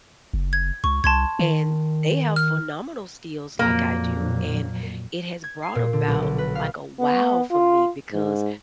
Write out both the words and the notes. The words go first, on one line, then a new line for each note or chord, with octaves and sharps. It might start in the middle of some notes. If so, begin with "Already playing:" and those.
And they have phenomenal skills like I do, and it has brought about, like, a, "Wow," for me because
F#1
G#6
C#2 C#6
C2 A5 C6 G#6
D#3
F6
F2 A#2 F#3 A#3
G#6
C7
A#2
D3
B1
D3
B4
F5
B3
F4
G#2